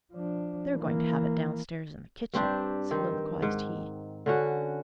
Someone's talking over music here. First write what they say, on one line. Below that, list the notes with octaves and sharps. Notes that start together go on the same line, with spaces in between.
"They're going to have it downstairs in the kitchen," soliloquized he.
F3 D4
E3 A#3
G2 C4 D4 G4
D#3 C4
G#2
D3 C#4 F#4